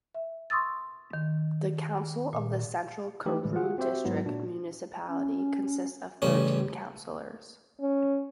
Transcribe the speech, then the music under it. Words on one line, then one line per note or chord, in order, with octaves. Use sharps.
The council of the Central Karoo District Municipality consists of thirteen councillors.
E5
C6 C#6 D#6 E6 A6
D#3
A#2
E3 A3 D#4 G4 B4
A2 D3 E3 G3 G#3 E4
F4 F#4 G#4 F#5
C4 F#4 G4 C5 E5
G#2 F#3 G#3 B3 E4
A#2 D4 F#4
C#4
A1 C#3 G3 C#4
C#4